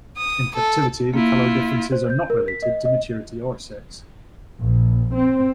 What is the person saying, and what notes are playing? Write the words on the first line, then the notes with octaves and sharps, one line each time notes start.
In captivity, the colour differences are not related to maturity or sex.
D#6
A4
A#3 E4 F4
C5
G6
A#4
B6
D#5
D#5
A#1
C4